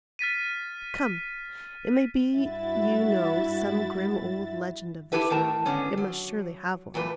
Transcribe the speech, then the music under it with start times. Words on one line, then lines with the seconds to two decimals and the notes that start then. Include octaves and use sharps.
Come; it may be you know some grim old legend of this room--it must surely have one.
0.19 F6 A6 B6 D#7
2.36 G2 E4 F#4 E5 A6
5.12 E4 G4 A4 B4 E5
5.30 A2 D#3 C4 A#4 A5
5.65 G#2 D3 B3 C#4
5.97 F#3
6.94 E2 A#2 A3 D4 B4